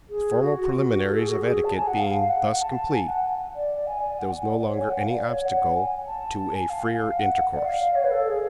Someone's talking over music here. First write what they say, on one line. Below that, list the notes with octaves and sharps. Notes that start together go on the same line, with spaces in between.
The formal preliminaries of etiquette being thus complete, there was no longer any obstacle to a freer intercourse.
G#4
F#4
F#4
F#4
F#4
A4
G#4
F#4
G#4
A5
G#5
F#5
F5
F#5
F#5
A5
G#5
F#5
D5
G#5
F#5
F#5
D5
C#5
G#5
F#5
F5
D5
C#5
F#5
G#5
A5
A5
G#5
F5
F5
F#5
F#5
D5
F5
C#5
B4
A4
G#4